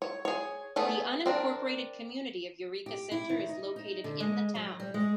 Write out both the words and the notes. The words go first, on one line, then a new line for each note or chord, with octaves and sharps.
The unincorporated community of Eureka Center is located in the town.
C#5
G#4 C#5
A3 B3 G#4 A4
C4 D4 A#4
G4
E4
D#3
D#4
D#4
D3
G#3
F#3
G3
G#3